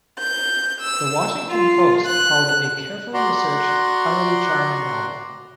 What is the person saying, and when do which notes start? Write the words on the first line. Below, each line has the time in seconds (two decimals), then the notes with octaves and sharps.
"The Washington Post" called it "a carefully researched, utterly charming novel".
0.17 G6
0.80 E6
1.48 F4
2.06 F#6
3.14 F#4 D5 F#5 A#5 C6